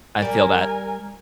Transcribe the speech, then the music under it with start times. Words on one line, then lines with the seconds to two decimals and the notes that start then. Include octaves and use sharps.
I feel that.
0.22 G3 A#4 D5 G#5